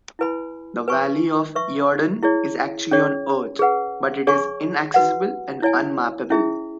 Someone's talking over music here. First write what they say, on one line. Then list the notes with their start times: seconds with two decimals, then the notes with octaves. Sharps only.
The valley of Eodon is actually on Earth, but it is inaccessible and unmappable.
0.19 E4 B4 G#5 B5
0.88 B4 G#5 C#6
1.55 B4 E5 C#6
2.23 E4 G#4 C#5
2.91 C#4 G#4 C#5
3.59 G#4 B4 F#5
4.27 G#4 C#5 G#5 C#6
4.94 F#4 B4 F#5
5.62 E4 C#5 G#5
6.30 C#4 E4 G#4 E5